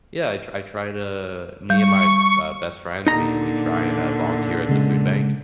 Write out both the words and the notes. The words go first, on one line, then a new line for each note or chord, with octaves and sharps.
Yeah, I I try to me and my, uh, best friend, we we try and, uh, volunteer at the food bank,
G3 C#6
A#2 D3 D#4 A#5
C#3 G#3